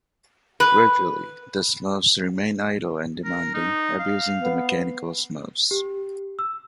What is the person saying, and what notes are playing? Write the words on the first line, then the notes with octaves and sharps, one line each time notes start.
Gradually, the Smurfs remain idle and demanding, abusing the mechanical Smurfs.
B4
A#4
D#4
F5
B3
G4
E6